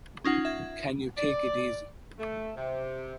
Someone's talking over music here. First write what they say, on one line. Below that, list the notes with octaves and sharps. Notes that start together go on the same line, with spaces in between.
Can you take it easy?
C#4 D#4 F4 F#5
E5 G#6
D5
A3
C3